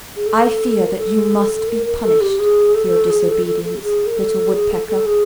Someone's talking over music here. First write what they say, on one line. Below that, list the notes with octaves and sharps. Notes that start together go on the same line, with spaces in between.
I fear that you must be punished for your disobedience, little Woodpecker.
G#4
A4
A#4
A4
A#4
A#4
A4
G4
G#4
A4
G#4
A4
A4
A4
G4
G#4
A#4
A4
G#4
A4
A4
G#4